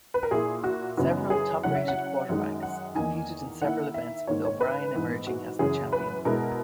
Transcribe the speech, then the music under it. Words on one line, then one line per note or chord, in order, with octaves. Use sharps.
Several top-rated quarterbacks competed in several events with O'Brien emerging as the champion.
B4
A#4
A#2 A#3 E4 G#4
F#4
F#2 C#3 E3 B3 D#4 F#4
G#4
C#3 F#3 C#4 E4 F#5
E5
F#5
F#2 D#3 G#3 D#4
F#5
E2 D#3 A#3 D#4 G#5
D#3 A#3 E4 F#5
E5
G#2 D#3 A#3 C#5
C#5
B4
G#2 E3 B3
F#4
F#2 C#3 E3 G#4
B4
B2 G#3 B3 E4 A#4